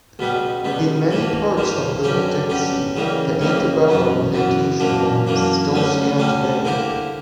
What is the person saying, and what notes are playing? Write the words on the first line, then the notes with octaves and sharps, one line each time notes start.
In many parts of Little Dixie, the antebellum plantation homes still stand today.
C#2 B2 G3 B3
C#2 B2 G3 B3
G2 E3 G3 A#3
G2 E3 G3 A#3
G2 F#3 C#4 G4
G2 F#3 C#4 G4
C#2 C#3 E3 G3 A#3
C#2 C#3 E3 G3 A#3
F#2 E3 B3
F#2 E3 B3
F#2 E3 A#3 D4
F#2 E3 A#3 D4
D2 D3 G3 C#4
D2 D3 G3 C#4
D3 A#3 E4 G4